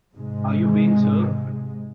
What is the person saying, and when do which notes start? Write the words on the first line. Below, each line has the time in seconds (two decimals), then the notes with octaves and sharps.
Are You Being Served?
0.15 G#2 C3 G#3